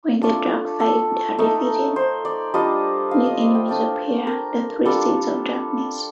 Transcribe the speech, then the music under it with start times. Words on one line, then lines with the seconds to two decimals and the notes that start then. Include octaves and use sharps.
When the Dark Five are defeated, new enemies appear: the Three Seeds of Darkness.
0.22 A3 D4 F4 A4
0.80 A4
1.39 A3 D#4
1.96 C5
2.25 D5
2.54 G3 D4 F4 D#5
3.11 F5
3.26 D#5
3.41 D#5
3.55 G5
3.69 A3 D4 F4 D5
4.27 A#4
4.85 G3 D4 F4 A4